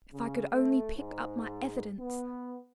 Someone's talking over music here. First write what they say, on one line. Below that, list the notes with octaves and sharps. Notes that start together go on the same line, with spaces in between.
If I could only pick up my evidence!
C#3
A3
G#2
B3